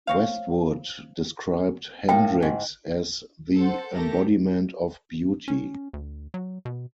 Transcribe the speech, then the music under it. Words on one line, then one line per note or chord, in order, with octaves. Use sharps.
Westwood described Hendricks as the embodiment of beauty.
C4 C#5 F5
A2 A#3 G5
G#2 C#4
A4 C5 F#5
A3 G4 A4 A#4 A#6
C#4
D2
F#3
B2